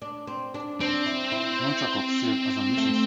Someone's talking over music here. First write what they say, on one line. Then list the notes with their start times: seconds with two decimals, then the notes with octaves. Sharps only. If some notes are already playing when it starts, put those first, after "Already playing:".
Lonchakov served as a mission specialist.
0.02 D4
0.27 C4
0.54 D4
0.80 C4 D4
1.06 E4
1.32 E4
2.77 A3